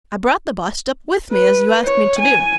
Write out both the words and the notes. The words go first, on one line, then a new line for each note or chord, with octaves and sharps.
I brought the bust up with me, as you asked me to do.
B4
C#5
G#5